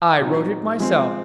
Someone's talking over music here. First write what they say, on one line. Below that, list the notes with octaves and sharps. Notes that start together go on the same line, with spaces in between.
"I wrote it myself."
A#2 F#3 C4 D#4
F3 G#3 C4